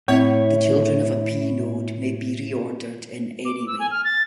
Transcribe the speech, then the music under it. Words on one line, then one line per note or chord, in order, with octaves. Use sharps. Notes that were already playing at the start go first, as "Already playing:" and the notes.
The children of a P node may be reordered in any way.
A2 C4 E4 C#5
D6
E6
G#5
F6
A6